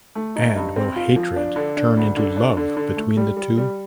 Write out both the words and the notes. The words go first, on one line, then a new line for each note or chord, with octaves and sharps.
And will hatred turn into love between the two?
A3
D#4
G2
C4
F4
F3
D4
D3
D4
D2
D3
D4
D3
D3
A3
G3
G3
G3